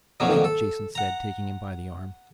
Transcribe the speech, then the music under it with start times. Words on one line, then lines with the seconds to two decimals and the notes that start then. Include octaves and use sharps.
"Wait," Jason said, taking him by the arm.
0.20 F2 A#2 D3 D#3 F3 F#3
0.44 A4
0.95 F#5 A#5